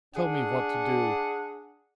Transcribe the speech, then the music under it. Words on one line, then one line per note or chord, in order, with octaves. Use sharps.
Tell me what to do!...
D4 G#4 F#5